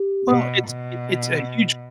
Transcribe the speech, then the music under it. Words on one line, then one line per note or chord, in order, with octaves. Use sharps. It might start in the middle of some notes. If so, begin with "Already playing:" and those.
Well, it's i it's a huge
Already playing: G4
B2
B2